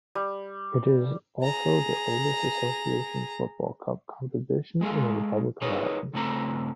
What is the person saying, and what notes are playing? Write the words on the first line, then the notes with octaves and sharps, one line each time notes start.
It is also the oldest association football cup competition in the Republic of Ireland.
G3
G#4 A#5
G#3 G#4 A4 F5
D#4 G#4 A#4 B4 C#5 D#5
G2 C#3 A3 C4 A4 A#5